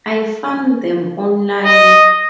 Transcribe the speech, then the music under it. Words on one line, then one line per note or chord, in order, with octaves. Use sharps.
I found them online.
D#5